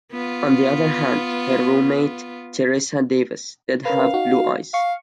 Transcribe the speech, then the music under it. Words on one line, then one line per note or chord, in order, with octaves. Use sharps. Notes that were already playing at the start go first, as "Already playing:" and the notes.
On the other hand, her roommate, Teresa Davis, did have blue eyes.
B3 F4
C#4 A#4 B4 F5
D#4 F#4
F5 C#6